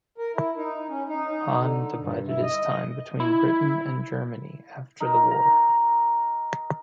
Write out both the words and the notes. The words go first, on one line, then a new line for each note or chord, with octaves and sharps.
Hahn divided his time between Britain and Germany after the war.
A#4
E4
D#4
C#4
D#4
D3
G2
E4
D#5
E4
D#4 A#4
A#5